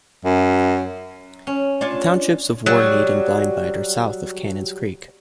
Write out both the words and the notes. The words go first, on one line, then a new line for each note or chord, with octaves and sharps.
The townships of Warneet and Blind Bight are south of Cannons Creek.
F#2
C#4
D4 F4 C#5
F#3 G3